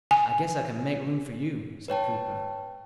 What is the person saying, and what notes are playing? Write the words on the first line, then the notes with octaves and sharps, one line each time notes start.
"I guess I can make room for you," said Cooper.
G#5
B4 C#5 G5 A5